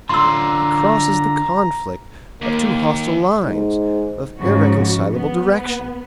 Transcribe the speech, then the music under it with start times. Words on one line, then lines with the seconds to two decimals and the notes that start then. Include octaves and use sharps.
The cross is the conflict of two hostile lines, of irreconcilable direction.
0.09 D3 F4 A#5 C6 E6
2.42 D#2 A#3
3.41 G#2
4.38 G#2 C#3 F3 F#4
5.12 B3